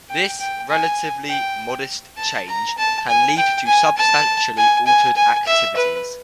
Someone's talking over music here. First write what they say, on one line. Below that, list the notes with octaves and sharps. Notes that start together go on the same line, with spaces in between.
This relatively modest change can lead to substantially altered activities.
G5
G5
G#5
G5
A5
A#5
A5
G#5
G5
G#5
A5
G#5
G#5
G#5
E5
B4